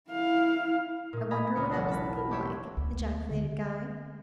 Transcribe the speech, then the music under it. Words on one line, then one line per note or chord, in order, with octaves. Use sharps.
'I wonder what I was looking like!' ejaculated Guy.
E4 F5
A#2 D#4
D#5 G#5 A#5 B5 G#6
C#2 G#3 F4 C#7
E1 B1 F4 F#5 A#6 C7
A5 B5
G4 C#5 E5 C6
D2 B3
D3